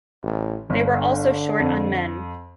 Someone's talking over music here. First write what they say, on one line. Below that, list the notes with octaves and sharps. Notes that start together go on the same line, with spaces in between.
They were also short on men.
A1
G1 D3
F2